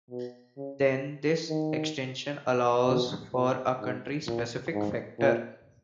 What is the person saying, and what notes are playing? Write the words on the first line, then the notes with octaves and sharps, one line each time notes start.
Then this extension allows for a country specific factor.
B2
C#3
D#3
B2
A#2
G#2
A#2
G#2
A#2